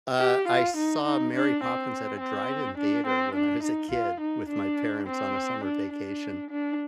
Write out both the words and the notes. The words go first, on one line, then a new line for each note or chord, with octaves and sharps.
Uh, I saw Mary Poppins at a drive-in theater when I was a kid, with my parents on a summer vacation.
G4
F4
D#4
D#4
D4
C4
C4
D4
C4
D4
D#4
F4
D#4
D4
C4
D4
D4
D4